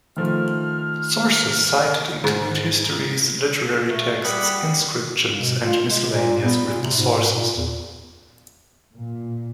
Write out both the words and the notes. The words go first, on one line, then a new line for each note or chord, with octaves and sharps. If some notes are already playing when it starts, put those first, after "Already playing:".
Sources cited include histories, literary texts, inscriptions, and miscellaneous written sources.
D#3 F3 A3 F6
G#2
A3
G3 G#4 F#5 B5
B2
F4
G#3
A#2
B3
A#2
C3
G#2
A#2
E2
A#2